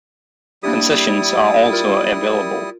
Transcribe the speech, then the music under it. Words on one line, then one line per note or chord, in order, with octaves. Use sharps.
Concessions are also available.
G3 A#3 D4 E4 G4 D#6
F4 A#4